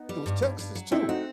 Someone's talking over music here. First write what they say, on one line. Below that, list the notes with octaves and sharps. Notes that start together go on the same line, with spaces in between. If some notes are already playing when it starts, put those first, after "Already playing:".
It was Texas, too.
Already playing: B3 D#4
G3
G2
G2
G2
F#3
A3 C4 E4
C4 D#4 F#4